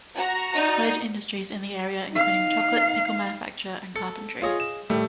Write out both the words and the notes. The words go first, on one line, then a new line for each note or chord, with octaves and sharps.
Cottage industries in the area including chocolate, pickle manufacture and carpentry.
F#4 A#5
D#4 D5
D#4 F5
A4 C#7
F4 G#4 C#5 D#5 F5
E7
A2 D#3 G3 A3